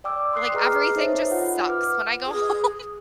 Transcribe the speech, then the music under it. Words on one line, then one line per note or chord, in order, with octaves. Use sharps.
like, everything just sucks when I go home,
D5 G5 D6 E6
C6 D#6 F#6 C7
G#4 B4 D#5 A#5 D6 F6
D#4 A4 C5 C#5 D#5 E5
F4 F#5
B4 D6 F6
G#4